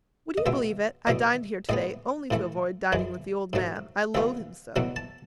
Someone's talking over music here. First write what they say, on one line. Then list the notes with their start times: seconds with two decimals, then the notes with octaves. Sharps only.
Would you believe it, I dined here to-day only to avoid dining with the old man, I loathe him so.
0.38 D#5
0.46 C#2 B2 G#3 B3 E5
1.07 E2 B2 A3 D#5
1.69 A2 G#3 B3 D#5
2.31 A2 E3 A3
2.93 F#2 E3 G#3
3.53 G#2 F#3 A3
4.15 C#2 C#3 G#3 B3 E5
4.76 E2 B2 F#3 A3 F#5
4.96 A5